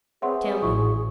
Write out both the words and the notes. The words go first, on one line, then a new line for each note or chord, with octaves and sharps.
Tell me.
C4 G#4 B4 C#5 E5 F#5 C6
A1 D#3 E4 F#4 C#6